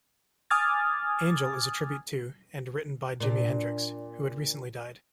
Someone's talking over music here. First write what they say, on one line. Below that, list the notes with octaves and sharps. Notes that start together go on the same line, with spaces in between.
"Angel" is a tribute to, and written by Jimi Hendrix, who had recently died.
G#5 D6 D#6 F6 G#6 A6
A#2 D4